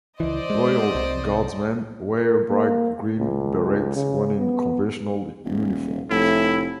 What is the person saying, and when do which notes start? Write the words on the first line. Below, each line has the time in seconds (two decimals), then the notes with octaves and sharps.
Royal Guardsmen wear bright green berets when in conventional uniforms.
0.20 C#2 E3 C5 D5 D#5
0.50 G#3
0.95 C2 C3
2.18 A#4
2.49 A#3
3.19 C#2
3.96 C#3
4.38 B3
5.44 D#1
6.10 F1 A2 E4